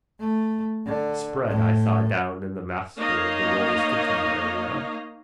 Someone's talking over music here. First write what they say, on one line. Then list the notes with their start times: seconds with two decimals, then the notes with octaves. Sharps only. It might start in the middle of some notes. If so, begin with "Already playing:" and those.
Spread I saw down in the Master of the Rolls' kitchen area.
0.20 A3
0.86 D3
1.48 A2
2.98 A#3 D#4 C#5 D#5 F5